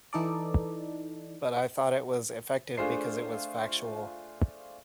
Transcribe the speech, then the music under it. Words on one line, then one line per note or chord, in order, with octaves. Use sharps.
But I thought it was effective because it was factual.
E3 D#4 A4 D5
A3 D4 F4 G#4 C5 C7